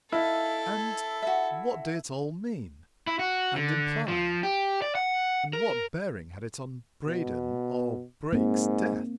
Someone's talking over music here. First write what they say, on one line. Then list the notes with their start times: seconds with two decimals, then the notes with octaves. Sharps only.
And--what did it all mean, and imply, and what bearing had it on Braden or Brake's death?
0.12 D#4 E4 A4 F5
1.22 F#4 E5
3.07 E4
3.19 F#4
3.56 D3
4.08 F3
4.43 G4
4.82 D5
4.95 F#5
5.53 A#4
7.07 B2
8.33 G#2 A#3 C4